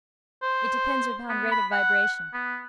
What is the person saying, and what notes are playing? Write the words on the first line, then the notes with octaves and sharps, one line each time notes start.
It depends upon rate of vibration.
C5
B3
B5
F#5
B3